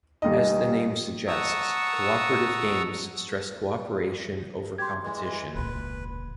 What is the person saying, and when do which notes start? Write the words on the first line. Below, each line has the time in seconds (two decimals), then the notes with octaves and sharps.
As the name suggests, cooperative games stress cooperation over competition.
0.22 D#1 D#2 D#4 D#5
1.27 F#5 A5 A#5 C#6 D#6 E6
4.78 G4 C6 G#6
5.03 E3 G#3
5.55 E1 C#2 A#2 B4